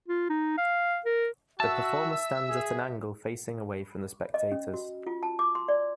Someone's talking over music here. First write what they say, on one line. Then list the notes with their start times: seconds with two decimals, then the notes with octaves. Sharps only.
The performer stands at an angle facing away from the spectators.
0.08 F4
0.30 D#4
0.58 F5
1.05 A#4
1.60 F#4 E5 A5 E6
2.49 G#4
4.34 D#5
4.52 C#4
4.74 F#4
5.06 F4
5.23 A5
5.39 D6
5.55 C6
5.68 D5